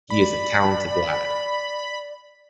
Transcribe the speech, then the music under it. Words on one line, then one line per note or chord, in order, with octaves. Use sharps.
He is a talented lad.
D5 B5